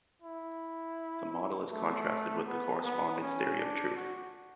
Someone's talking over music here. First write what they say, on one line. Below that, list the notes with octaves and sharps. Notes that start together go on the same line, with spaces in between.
The model is contrasted with the correspondence theory of truth.
E4
A3
B3
B3
C#4
D4
F#4